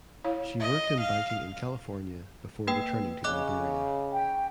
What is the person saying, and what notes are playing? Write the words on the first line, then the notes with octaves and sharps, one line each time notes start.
She worked in banking in California before returning to Liberia.
E4 C#5 F5
D#5 E5
F5
A#3 B4 G5
C#3 D#5 D6 F#6
G5